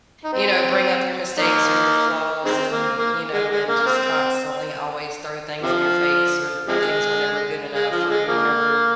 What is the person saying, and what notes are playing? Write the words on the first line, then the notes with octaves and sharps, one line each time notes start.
you know, bring up your mistakes or your flaws and, you know, and just constantly always throw things in your face, or things were never good enough, or you were never
D#4
C4
A#3 D#4
D#3 G#3 C4
A#3
A#3
G#3
G#3
A#3
A#3
C4
C3 F3
C3 F3 G#3
G#3
F3
G#3
F3 A#3